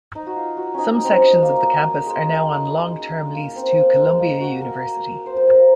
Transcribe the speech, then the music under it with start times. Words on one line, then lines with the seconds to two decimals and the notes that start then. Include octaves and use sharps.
Some sections of the campus are now on long-term lease to Columbia University.
0.15 D#4
0.27 F#4
0.36 F4
0.57 F#4
0.74 C#4 D#4
1.04 C4
1.11 C#4
1.43 A#3
2.07 G#3
3.35 A#3
3.56 C4
3.77 A#3
3.98 G#3
4.20 A#3
4.41 F#4
4.62 A#4
5.26 C5
5.37 C5
5.47 A#4
5.59 A#3